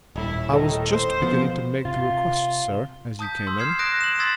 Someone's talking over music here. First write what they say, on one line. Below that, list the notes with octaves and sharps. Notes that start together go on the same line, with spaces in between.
"I was just beginning to make the request, sir, as you came in."
D#1 A2 E4
D#3 A4
C5
B2 F3 B3
C3 F4
A5 D#6 G6 B6
C6 E6
F6 G#6 C7 E7
D#6 F#6 A#6 D7 E7
E7 F#7
C6 D#6 E6 G#6 A6 B6